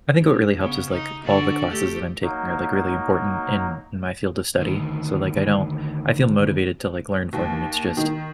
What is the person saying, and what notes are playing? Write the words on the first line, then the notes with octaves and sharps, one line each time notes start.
I think what really helps is, like, all the classes that I'm taking are, like, really important in in my field of study, so, like, I don't I feel motivated to, like, learn for them, it's just
G2
C#3 B3
D#4
D3 F#4 D5
A3 G4
F#3 A#3 D#4
D2 D#3
D#2
D#3